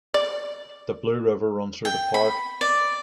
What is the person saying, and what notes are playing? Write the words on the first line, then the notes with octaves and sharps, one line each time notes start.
The Blue River runs through the park.
D5
G5
B5
D5